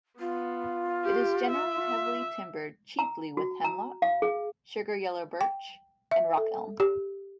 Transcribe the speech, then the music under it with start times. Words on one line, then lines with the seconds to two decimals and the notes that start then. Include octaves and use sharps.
It is generally heavily timbered chiefly with Hemlock, Sugar Yellow Birch, and Rock Elm.
0.19 B3 F4
1.04 G4
1.50 E5
2.99 A#5
3.37 F#4
3.64 A#5
4.02 F5
4.22 G#4
5.41 G5
6.11 E5
6.37 A4
6.80 G4